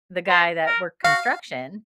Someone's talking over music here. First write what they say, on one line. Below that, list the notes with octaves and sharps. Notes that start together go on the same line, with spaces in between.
the guy that worked construction,
C5
A#4
F#4 F5